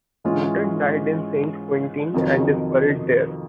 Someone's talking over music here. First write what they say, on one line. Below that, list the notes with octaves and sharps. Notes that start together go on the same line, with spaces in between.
Mouton died in Saint-Quentin and is buried there.
G#2 E3 G#3 C#4 F4
F2 C3 D#3 F#3